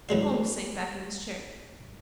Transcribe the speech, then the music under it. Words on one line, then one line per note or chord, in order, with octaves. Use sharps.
Holmes sank back in his chair.
E2 F#3 G#3 F5